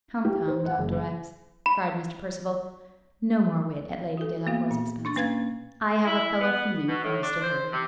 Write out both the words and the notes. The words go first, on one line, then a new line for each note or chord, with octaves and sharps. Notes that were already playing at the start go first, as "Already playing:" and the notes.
"Come, come, Dr. X----," cried Mr. Percival, "no more wit at Lady Delacour's expense: I have a fellow-feeling for Mr. Hervey."
G4
C5
F#5
F#1
B5
F#4 A4
A#3 B3 F#4 F5
A#2
D4 C#6 A6
A#3 C#4 B4 F5 G#6 A6
E4
B3
B2
A2
D4
C5
C3